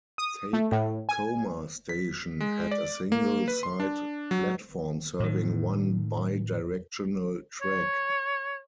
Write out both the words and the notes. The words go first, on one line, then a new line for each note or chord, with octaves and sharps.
Takekoma Station had a single side platform serving one bi-directional track.
D#6
A3
A2
G#5
B6
G#3
D5
A#3
B4
C6
D4
F#3
A2 D#3
C#5